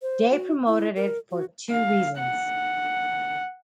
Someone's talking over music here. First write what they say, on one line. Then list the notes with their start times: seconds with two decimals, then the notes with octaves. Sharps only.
They promoted it for two reasons.
0.02 C5
0.31 F#4
0.67 E4
0.96 A#4
1.31 F#4
1.70 F5
2.19 F#5